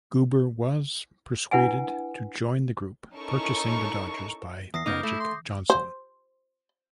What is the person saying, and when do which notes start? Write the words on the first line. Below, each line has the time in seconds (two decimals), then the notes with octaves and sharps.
Guber was persuaded to join the group purchasing the Dodgers by Magic Johnson.
1.51 D4 E4 B4 F#5 G#5
3.14 C#4 D#4 E4 A4 A#4 C#6
4.74 E2 D#6 A#6 C7
4.86 C#3 B3 D#4 A#4 D6 D#6 G6
5.03 A3 E4
5.20 C6
5.70 C5